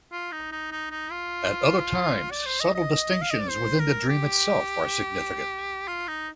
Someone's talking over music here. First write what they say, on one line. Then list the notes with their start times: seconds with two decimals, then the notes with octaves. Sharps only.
At other times, subtle distinctions within the dream itself are significant.
0.12 F4
0.32 D#4
0.52 D#4
0.72 D#4
0.91 D#4
1.11 F4
2.31 D5
2.46 C5
2.60 D#5
2.75 D#5
3.21 F5
3.31 D#5
3.40 D5
3.50 C5
3.79 A#4
4.09 G4
5.88 F4
6.08 D#4